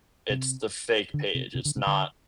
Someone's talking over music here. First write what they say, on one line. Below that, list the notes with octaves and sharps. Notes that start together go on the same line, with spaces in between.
it's the fake page, it's not
C3
D3
C3
C3
D3
C3
D3